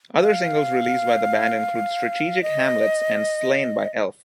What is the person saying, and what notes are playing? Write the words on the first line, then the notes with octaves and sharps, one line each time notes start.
Other singles released by the band include "Strategic Hamlets" and "Slain By Elf".
F5
D#5